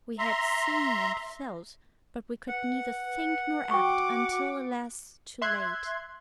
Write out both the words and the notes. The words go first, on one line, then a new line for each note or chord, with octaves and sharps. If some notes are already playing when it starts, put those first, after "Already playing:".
We had seen and felt, but we could neither think nor act, until, alas! too late.
E5 A#5 C6
B4 F#5
F#4 G5 C#6 D6
E5 C6 F#6 G#6